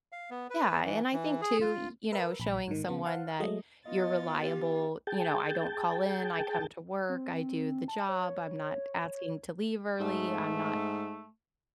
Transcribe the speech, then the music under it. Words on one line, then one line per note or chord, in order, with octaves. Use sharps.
Yeah, and I think too, y you know, showing someone that you're reliable, you know, I don't call in, I come to work, I do the job, I'm not asking to leave early, I'm not
F5
B3
B4
E3
E3
G#4
F4
A#4 B4 E5
A#1 B5
G#2 D#3
C#3 B3
C5 F5 F#5 A5
F#3 G#3 A3 D#5
B3 F4 D#5 A6
G4
G#4 G5 A5
C4
A5
C#5
G#2 A3